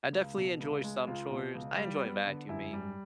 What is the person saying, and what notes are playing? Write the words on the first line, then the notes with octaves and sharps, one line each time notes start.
I definitely enjoy some chores, I enjoy vacuuming.
C#2
B2
C#2
G#3
C#2 F4
B2
C#2
G3
B3
D3
F#2 E4
G3